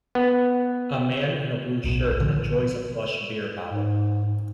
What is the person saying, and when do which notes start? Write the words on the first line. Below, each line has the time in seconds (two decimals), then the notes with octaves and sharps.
A man in a blue shirt enjoys a plush beer bottle.
0.15 B3
1.84 D1 B1 A2 B3
2.20 A1 D3 E3 F3
3.66 G#2